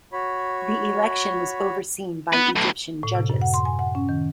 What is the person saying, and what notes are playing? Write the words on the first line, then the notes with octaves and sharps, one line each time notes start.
The election was overseen by Egyptian judges.
F#4 C#5 B5
B3 B4
B1 A2
A2
C3
F#2
F#5
C6
G#5
F#5
C#4
D#3